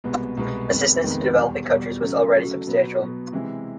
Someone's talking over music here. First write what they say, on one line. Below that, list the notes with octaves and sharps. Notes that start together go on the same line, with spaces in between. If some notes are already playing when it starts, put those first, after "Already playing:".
Assistance to developing countries was already substantial.
C2 B2 G#3 B3
C2 B2 G#3 B3
F2 C3 D#3 G#3 B3
F2 C3 D#3 G#3 B3
E2 B2 G3
E2 B2 G3
C#3 F#3 A3 C#4 F#4
C#3 F#3 A3 C#4 F#4
B2 F#3 B3
B2 F#3 B3
C3 E3 G#3 C4 E4